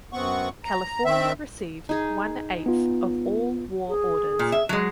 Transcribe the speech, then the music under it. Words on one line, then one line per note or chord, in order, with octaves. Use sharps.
California received one eighth of all war orders.
F#2 B3 C4 F#5 C#6
A#5
D#3 C4 E5
D#4 G#4
B3 F4
G#4
A#2
E5
F#3 G#3